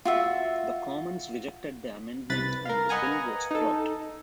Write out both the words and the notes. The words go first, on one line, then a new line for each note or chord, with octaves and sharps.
The Commons rejected the amendment and the bill was dropped.
F4 F#4 E5
C2 B4 B5 A6
A#4 F5
B4 D#5 F#5 G#5 A#5
D#4 A4